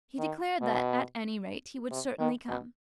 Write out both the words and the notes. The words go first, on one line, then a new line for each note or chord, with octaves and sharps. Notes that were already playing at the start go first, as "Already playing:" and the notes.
He declared that, at any rate, he would certainly come.
D#3
B2
C3
D#3
B2